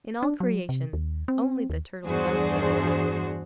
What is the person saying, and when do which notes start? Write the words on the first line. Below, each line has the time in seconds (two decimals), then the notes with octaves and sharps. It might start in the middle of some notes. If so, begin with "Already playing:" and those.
In all creation, only the turtle-doves are wise.
0.23 D4
0.40 F#3
0.69 C3
0.93 D#2
1.28 C4
1.70 D#2
2.07 E2 G2 D4 F#4 G#4 C5